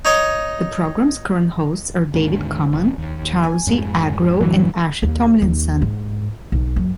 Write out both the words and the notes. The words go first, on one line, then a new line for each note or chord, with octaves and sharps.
The program's current hosts are David Common, Charlsie Agro and Asha Tomlinson.
D#4 C#5 D#5
D#2 G#2 D3
E1
D#2
G#5
F2 G#2 G#3
F#2 A2 D3 E3 F#3
D#2
D#2
G#2
B1
F#2